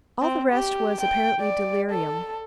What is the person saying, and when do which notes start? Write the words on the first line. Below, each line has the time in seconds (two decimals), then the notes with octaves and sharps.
All the rest was apparently delirium.
0.21 C4
0.53 G4
1.01 G5
1.39 D5
1.91 A4